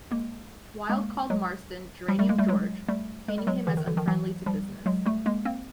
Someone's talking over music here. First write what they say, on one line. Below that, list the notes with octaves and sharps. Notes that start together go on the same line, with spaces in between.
Wilde called Marston "Geranium George", painting him as unfriendly to business.
G#3 A#3
G#3 A#3
F#3 G#3
F3 G3
G3 A3
G#3 A#3
G3 A3
F#3 G#3
G3 A3
G#3
G3
F#3 G#3
D3 E3
D#3
D3 E3
D#3 F3
E3 F#3
F3 G3
F#3 G#3
G3 A3
G#3 A#3
A#3 C4